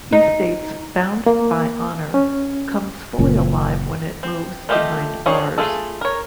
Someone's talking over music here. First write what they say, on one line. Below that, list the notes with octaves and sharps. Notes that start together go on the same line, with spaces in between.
He states "Bound By Honor" comes fully alive when it moves behind bars.
D#4
A#3
C#4
F#1 A#2
C4
A3 F4 G4 A4 D#5
F3 C#4 D4 G#4 C#5
A3 F4 G#4 A4
A#4 C#5